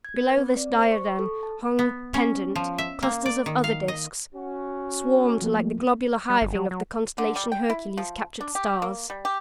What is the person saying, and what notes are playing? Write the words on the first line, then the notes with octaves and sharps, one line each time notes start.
Below this diadem hung, pendent, clusters of other disks, swarmed like the globular hiving of the constellation Hercules' captured stars.
G#6
B4
C4
D5
C5
C#6
C#6
A4
A5
B3
C#4
F3
E5
A#3
D5
D#3
F5
D#5
C#4 F#4
F3 A3 A#3
G3
G1
F#3
F#3
D3
G3
G5
E4
F3
D4
G4
A#3
G3
G4